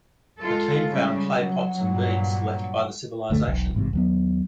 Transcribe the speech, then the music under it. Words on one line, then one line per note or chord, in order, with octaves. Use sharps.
The team found clay pots and beads left by the civilization.
G#3 F4 A4
C#3 F3 G3
F#3 F#5
G2 A#2 F#3
F#1 D2 A3
E1 B1
A1 G#2 C3
D#2 F#3 B3